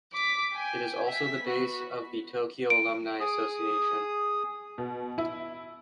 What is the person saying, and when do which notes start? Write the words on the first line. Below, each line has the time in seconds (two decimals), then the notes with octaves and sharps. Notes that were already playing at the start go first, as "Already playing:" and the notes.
It is also the base of the Tokyo Alumni Association.
0.13 D6 B6
0.54 G5 G#5
1.06 E5 B6
1.43 B3 F#4
2.70 D7
3.20 G#4 D#6
4.78 B2
5.18 E4